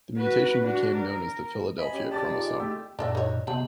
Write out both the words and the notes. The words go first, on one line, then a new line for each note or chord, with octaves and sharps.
The mutation became known as the Philadelphia chromosome.
F#4 B4
D4 F#4
A#4
D#5 G#5 B5
C#4 G4
G4 D5 A5 A6
D#4 F4
G#3 D6
A3 G4 E6
F#2 A#2 D4 A4 E5
D#4 C#5
C3 G#3 B3 A5